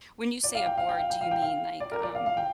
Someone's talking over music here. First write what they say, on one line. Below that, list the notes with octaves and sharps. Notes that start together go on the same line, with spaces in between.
When you say a board, do you mean like, um,
D5
F5
G5
F5
G5
F5
G5
F5
G5
F5
D5
A#4
D5
F5
F5
G5